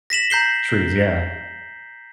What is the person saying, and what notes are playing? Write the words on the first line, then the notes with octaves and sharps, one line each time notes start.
trees, yeah.
A#6 B6 E7 F#7
A#5 G6 C7 G7